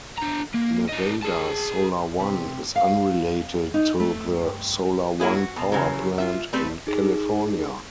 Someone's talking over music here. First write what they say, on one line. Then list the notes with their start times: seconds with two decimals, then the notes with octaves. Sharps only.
Nevada Solar One is unrelated to the Solar One power plant in California.
0.18 D4 A#5
0.54 A#3
0.89 D4 D#5
1.22 G#4 A5
2.19 C3
2.76 F5
3.74 D#4
4.00 A3
4.42 G2
5.20 F#3 A#3 E4 G#4
5.35 F#4
5.56 B2 A4
5.72 C#3 E3 F#3
6.18 F4 E5
6.53 G3 A3 C4 B4 C5
6.87 D#4 G#4